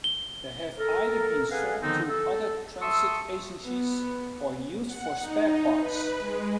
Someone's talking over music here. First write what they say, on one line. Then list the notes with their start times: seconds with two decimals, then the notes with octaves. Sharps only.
They have either been sold to other transit agencies or used for spare parts.
0.04 G7
0.78 A4 A#4
1.51 G#4 A4 B4 F5 F#5 G#5
1.81 D3 D#3 F3 B3 C4 D#4
2.08 A4
2.82 E5 A5 C6 C#6 D#6 E6
3.64 B3
4.87 F#5
5.18 D#4
5.79 B4
6.19 G#3